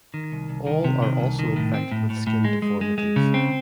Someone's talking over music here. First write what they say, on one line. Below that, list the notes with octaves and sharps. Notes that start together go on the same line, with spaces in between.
All are also infected with skin deformities.
D#3
C2
C2
D#3
C3
D#3
C2
D#3
A2
C4
A2
A2
A2
G#3
G#3
G#3
G#3
C#3
C4